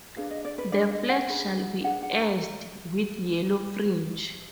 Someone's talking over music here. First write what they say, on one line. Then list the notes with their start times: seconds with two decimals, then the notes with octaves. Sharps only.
The flag shall be edged with yellow fringe.
0.16 D4 G#4 B4 F5
0.31 D#5
0.45 D5
0.58 B4
0.72 D4 G#4 B4 D5
0.91 D#5
1.09 F#5
1.28 D4 G#4 B4
1.84 D4 G#4 B4 F#5
2.03 F#5
2.21 A#5